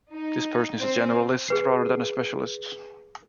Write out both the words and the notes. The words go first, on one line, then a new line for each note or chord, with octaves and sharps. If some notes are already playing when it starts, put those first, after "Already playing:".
This person is a generalist rather than a specialist.
D#4
C4
G#4 B4 C7